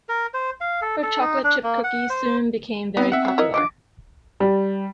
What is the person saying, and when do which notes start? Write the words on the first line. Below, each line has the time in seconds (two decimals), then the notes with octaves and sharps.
Her chocolate chip cookies soon became very popular.
0.09 A#4
0.34 C5
0.61 F5
0.82 A4
1.03 A4
1.21 D#4
1.44 D4
1.63 A#3
1.84 F#5
2.10 C5
2.97 B3 C4 D#4
3.12 C4 E5 F#5
3.25 F#3 G#3
3.38 E4 A#4 D#5
3.54 D4 F4 D#5 D6
4.40 G3